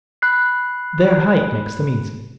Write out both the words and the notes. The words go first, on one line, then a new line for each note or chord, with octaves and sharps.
Their height makes them easy.
B5 F#6 C7